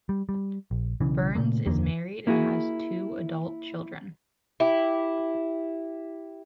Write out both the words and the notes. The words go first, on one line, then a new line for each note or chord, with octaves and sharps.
Burns is married and has two adult children.
G3
G3
A#1
B1 C#3 E3
A#2 C#3 A3 A#3
F#1 E2 D3 A#3
A#3 E4 F#4 G#4
E4 G4